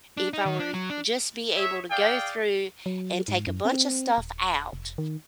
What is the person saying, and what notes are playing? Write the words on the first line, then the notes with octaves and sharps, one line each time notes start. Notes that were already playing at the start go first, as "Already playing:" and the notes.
if I were just be able to go through and take a bunch of stuff out,
D4
D#4
D#3
D4
F#3
D4
G#4 C#5 E5
G#4 D5 F5 G5
F#3
G#2
F#2
C4
D#1
F1
D#3